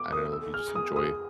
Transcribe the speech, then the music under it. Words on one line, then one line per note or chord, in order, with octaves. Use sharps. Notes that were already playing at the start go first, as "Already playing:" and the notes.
I don't know, we just enjoy
Already playing: D6
A#4 D#6
A4
E6
A4
G#4 F6
D#6
D#6